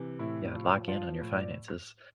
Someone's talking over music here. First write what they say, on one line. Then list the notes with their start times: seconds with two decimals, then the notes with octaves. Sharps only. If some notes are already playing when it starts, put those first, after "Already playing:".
Yeah, lock in on your finances.
Already playing: C3 E3
0.19 A2 E4
0.54 F3
0.88 F3 F4
1.21 A2
1.32 D5